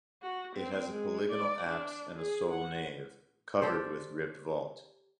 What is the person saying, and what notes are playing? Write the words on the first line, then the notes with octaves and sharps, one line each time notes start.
It has a polygonal apse and a sole nave, covered with ribbed vault.
F#4
C4
G#3
D5
D4
G#4
F#5
G4 A4 C5 D5